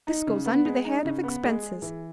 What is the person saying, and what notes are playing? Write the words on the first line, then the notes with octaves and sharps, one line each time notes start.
This goes under the head of expenses.
D#4
C#3
B3
G#3
D#4
C#3
B3
G#3
G#4
E3